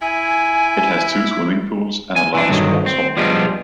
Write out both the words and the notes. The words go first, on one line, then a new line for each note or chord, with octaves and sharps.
It has two swimming pools and a large sports hall.
E4 G#5
G#5
E3 D4
G2 D3 D#3 F3 F#3
C4
F3 G3 G#3 B3 D4 F4